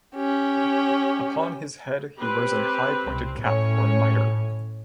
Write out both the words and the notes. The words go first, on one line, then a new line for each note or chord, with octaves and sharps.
Upon his head he wears a high pointed cap or miter.
C#4 G4
C4 G4 B4
C2
A2 C#4 C#5